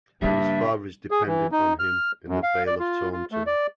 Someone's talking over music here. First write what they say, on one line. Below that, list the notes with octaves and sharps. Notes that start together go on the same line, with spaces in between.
And his father is dependent on him in the Vale of Taunton.
G2 C#3 G3 A#3 E5
G#4
E3
D#4
F6
F#2
F5
D5
F4
F4
A3
D5